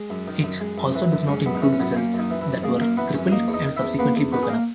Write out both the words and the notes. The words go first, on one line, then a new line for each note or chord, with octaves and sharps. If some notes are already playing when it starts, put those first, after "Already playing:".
It also does not include vessels that were crippled and subsequently broken up.
Already playing: G#3
F#2
D#3
F#2
G#3
F#2
E3
F#2
G#3 C#4
F#2 B3
D#4
E3 C#4
C#4
F#2 B3
A#3 C#4
F#2
D#3 D#4
E3
E3 E4
F#2
G#3 A#3 G#4
F#2 A#3 A#4
E3 B3 B4
F#2 C#4 C#5
A#3 D#4 D#5
E2 C#5
D#4 D#5
D#3
E4 E5
E2
A#3 B3 B4
E2
D#3 B3 B4
G#4
A#3 A#4